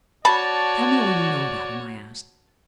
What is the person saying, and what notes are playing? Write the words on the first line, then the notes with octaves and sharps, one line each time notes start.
"Tell me all you know about him?" I asked.
F#4 C#5 D5 A5 B5